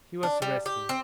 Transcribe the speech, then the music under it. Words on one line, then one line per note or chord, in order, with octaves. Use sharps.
He was resting.
D4
G3
G4
C4